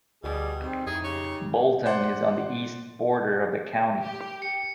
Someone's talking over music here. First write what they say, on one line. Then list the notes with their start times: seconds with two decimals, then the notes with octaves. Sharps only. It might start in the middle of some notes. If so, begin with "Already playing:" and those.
Bolton is on the east border of the county.
0.24 D2 B2 G3 G#4
0.62 D#3 G3 C4 D#4
0.87 F2 A2 D#4 G#4 D#5
1.04 C#3 G4 C#5
1.86 C5 D5 F#5
4.01 G4
4.42 C#7